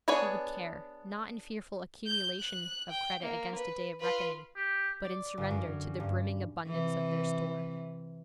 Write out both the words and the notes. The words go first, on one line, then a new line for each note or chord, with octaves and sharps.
He would care, not in fearful accumulation of credit against a day of reckoning, but in surrender to the brimming abundance of their store.
B3 D4 G#4 C#5 G#5
G6
F#6
G5
A#3
B4
F4 B4
G4
D5
G1
F#2
G2
C3 E3